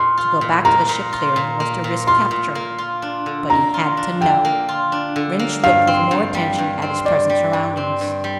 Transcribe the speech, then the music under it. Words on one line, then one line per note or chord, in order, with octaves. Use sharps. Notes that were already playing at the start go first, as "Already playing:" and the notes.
To go back to the ship clearing was to risk capture--but he had to know. Rynch looked with more attention at his present surroundings.
Already playing: A#2 C6
F4
A#2
A#3 A#5
A#2
F4
A#2
A#3
A#2
F4 C6
A#2
A#3
F4
D4
D3
A#3 A#5
F4
D4
D3 G5
A#3
F4
D4
D3
A#3
G2 F5
C4
G2
G3
G2
C4
G2 D5
G3
G2
C4
G2
G3